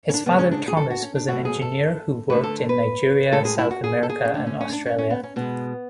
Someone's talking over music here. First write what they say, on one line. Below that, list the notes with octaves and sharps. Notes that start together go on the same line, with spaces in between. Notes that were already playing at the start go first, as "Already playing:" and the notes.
His father Thomas was an engineer who worked in Nigeria, South America and Australia.
C#4
D4
C#3 G#3 B3
C#4
D4
G#4
A4
F#4
C#4
D4
B2 F#3 A3 F#4
G#4
A4
D3 A3 B4
A4
B4
A2 G#3 A4
G#4
E4
F#4
G#4
A4
G#4
C#4
D3 A3 D4
C#4
C#4
D4
C#4
C#4
B3
C#4
B2 G#3 B3